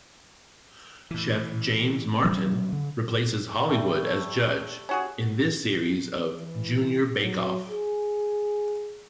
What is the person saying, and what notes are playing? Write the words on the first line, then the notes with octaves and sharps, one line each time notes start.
Chef James Martin replaces Hollywood as judge in this series of "Junior Bake Off".
A2 E3
B2 F#3 A#3 C#4
C#3
G3 A3 D5
C#4 F#4 G#4
E3
F#3
G#4